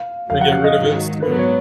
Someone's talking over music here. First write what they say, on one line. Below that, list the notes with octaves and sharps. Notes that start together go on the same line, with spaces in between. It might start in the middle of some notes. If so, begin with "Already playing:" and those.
Gonna get rid of it soon.
Already playing: F5
F2 C#3 F#3 F5
F#5
F5
D#5
G#2 D#3 F#3
G#2 F#3 B3 B4
C#5